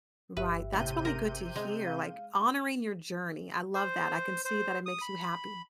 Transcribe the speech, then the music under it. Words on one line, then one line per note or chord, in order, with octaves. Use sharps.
Right, that's really good to hear, like, honoring your journey, I love that, I can see that it makes you happy.
G1 G4 B4 E5
A2 C3 G6 D#7
A#4
G#3
F5
C5
C5
D#6
B5